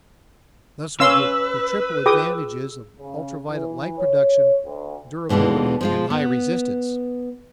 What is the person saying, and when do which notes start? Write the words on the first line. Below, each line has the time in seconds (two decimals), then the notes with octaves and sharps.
Thus we get the triple advantages of ultra-violet light production, durability, and high resistance.
1.00 C#4 B4 F5 C6 E6
2.06 F4 G#4 G5 D#6
2.99 C#3
3.48 E3
3.99 C#5
4.65 D2
5.29 D#2 B2 D3 E3 G#3
5.81 F3 G#3 F4
6.10 B3